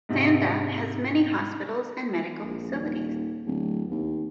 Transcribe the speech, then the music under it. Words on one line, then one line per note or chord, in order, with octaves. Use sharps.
Sanda has many hospitals and medical facilities.
G#2 C3
A#1
D#1
D1
D#2